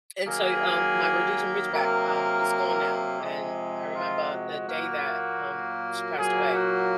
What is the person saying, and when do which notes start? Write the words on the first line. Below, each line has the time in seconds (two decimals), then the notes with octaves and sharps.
and so um, my Rhodesian Ridgeback, um, is gone now, and I remember the day that, um, she passed away.
0.25 D#3 F#3 A#3 G#4
1.73 C3 F#3 A#3 A#4
3.20 C3 F3 G#3 G#4
3.94 F4
4.31 F#4
4.69 A#2 F#3 A#3
6.16 A#2 F#3 A#3 G#4
6.54 F#4